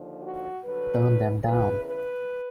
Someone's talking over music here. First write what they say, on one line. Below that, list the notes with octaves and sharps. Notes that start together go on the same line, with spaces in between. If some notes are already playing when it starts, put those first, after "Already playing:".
Turn them down!
Already playing: D#2 D3 F3
F#4
G2 D3 F#3 B4
E2 C#3 E3 B4
B4